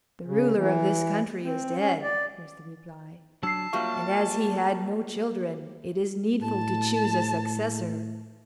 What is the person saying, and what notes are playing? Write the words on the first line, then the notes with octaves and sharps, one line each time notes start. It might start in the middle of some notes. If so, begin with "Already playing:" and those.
'The ruler of this country is dead,' was the reply, 'and as he had no children, it is needful to choose a successor.
C#3
E3
C4
C#4
D5
F#3 D4 A5 E6 C7
F#3 G3 A#3 F4 G4 E5 C#6
A2 A5